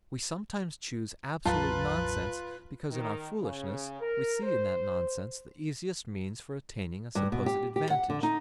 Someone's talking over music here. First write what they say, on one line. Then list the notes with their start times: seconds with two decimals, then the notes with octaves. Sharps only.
We sometimes choose absolute nonsense because in our foolishness we see in that nonsense the easiest means for attaining a supposed advantage.
1.45 A1 E2 F#3 F4 B4 A5 A#5
2.90 D#3
3.42 C#3
4.01 A#4
4.43 C5
7.15 G2
7.32 B2
7.46 G4
7.76 G4
7.90 F#5
8.10 D3
8.23 D#4